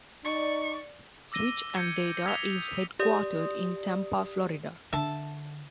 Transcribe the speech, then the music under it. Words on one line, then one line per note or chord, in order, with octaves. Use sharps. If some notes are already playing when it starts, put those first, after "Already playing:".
Switch and Data is headquartered in Tampa, Florida.
D#4 D5 C#6
D6 E6 A#6 D#7 G7
G6 G#6 A#6 C#7
D#6 G#6 B6 F7 G7
G4 D5 D#6
D3 E5 A5